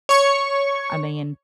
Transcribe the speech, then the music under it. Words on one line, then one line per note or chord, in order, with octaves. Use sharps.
I mean,
C#5 C#6